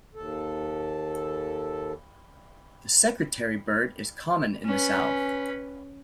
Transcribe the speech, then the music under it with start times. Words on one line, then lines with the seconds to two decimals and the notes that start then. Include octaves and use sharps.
The secretary-bird is common in the south.
0.15 D#2 A4
4.65 C#4 B4